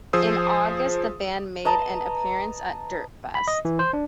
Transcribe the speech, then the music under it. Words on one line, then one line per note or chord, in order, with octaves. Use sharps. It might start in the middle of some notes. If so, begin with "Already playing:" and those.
In August, the band made an appearance at Dirt Fest.
F3 G#4 C5 D#6 E6
B4 D#5 A5 A#5
B5
D#5
E3
C5
D4